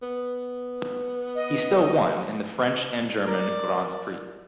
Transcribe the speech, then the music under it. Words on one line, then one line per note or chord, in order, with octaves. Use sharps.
He still won in the French and German Grands Prix.
B3
D#5
A#4 D5